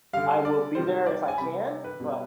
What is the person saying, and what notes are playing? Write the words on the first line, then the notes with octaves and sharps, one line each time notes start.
I will be there if I can, but"
D3 G3 F5
D5
C3 D#3 G3 C5
D5
G#5
C3 G3 B5
B4
B2 G3